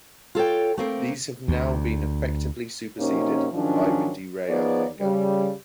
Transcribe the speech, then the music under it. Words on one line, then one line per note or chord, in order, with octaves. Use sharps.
These have now been effectively superseded by the derailleur hanger.
F4 A4 C#5 G5
A3 A#3 C4
D2
F#2 C3 A#3 C#4 D#4
G#2 D#3 F3 F#3 C#4 D4
F3 B3 D#4 G#4 C#5 D5
C#3 G3